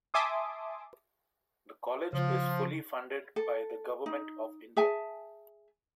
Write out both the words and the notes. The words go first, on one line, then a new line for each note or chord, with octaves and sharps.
The college is fully funded by the Government of India.
E5 G#5 A5 C6 D6 D#6
C#3 F3
A4
D#4
G#4 E5 G#5 A5